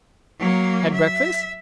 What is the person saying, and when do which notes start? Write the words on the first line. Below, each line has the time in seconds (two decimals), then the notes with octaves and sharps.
"Had breakfast?"
0.39 F#3 A#3
0.94 E5